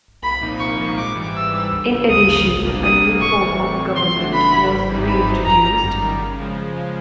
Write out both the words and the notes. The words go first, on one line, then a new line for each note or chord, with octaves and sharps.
In addition, a new form of government was reintroduced.
C2 B5
A#2 F3 A#3 D#4
C2 C#6
A#2 F3 A#3 D#4
G#2 D6
E3 G3
G#2 E6
E3 G3
D2
C#3 F3
D2 D#6
C#3 F3
C2
B2 G3 A#3 D4
C2 D#6
B2 G3 A#3 D4
A2 C#6
E3 G3 C4
A2
E3 G3 C4
C#3 C6
E3 A3 D4 F#4
C#3 B5
E3 A3 D4 F#4
G#2
E3 G3 C4 D#4
G#2 B5
E3 G3 C4 D#4
F#2 A#5
D#3 G3
F#2
D#3 G3
C#3
F3 G#3
C#3
F3 G#3